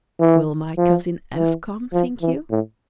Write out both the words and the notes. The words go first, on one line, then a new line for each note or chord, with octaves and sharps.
Will my cousin F. come, think you?
E3
F3
E3
F3
E3
A2